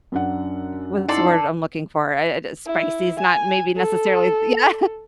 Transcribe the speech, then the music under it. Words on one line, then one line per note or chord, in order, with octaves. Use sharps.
what's the word I'm looking for, uh uh, spicy's not maybe necessarily yeah,
F#2 D4 F#5
D#4 E4 A4 D5 C6
E4
G#5
A4